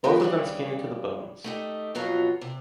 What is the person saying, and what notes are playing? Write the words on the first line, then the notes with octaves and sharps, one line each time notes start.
Both of them skinny to the bones.
F3 B3 D#4 B4 G5
G2 C#3 G4
A3 D#4 G4
F2 B2 F#3 F4 A#5
C3